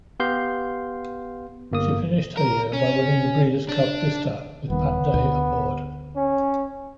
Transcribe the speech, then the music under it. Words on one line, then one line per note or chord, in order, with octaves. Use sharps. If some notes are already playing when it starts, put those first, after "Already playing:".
She finished her year by winning the Breeders' Cup Distaff with Pat Day aboard.
B3 G4 F5 C6 G6
G1 A#3 D#6
A#4
C#4
D4
D#1 D#3 B3
D2
C#4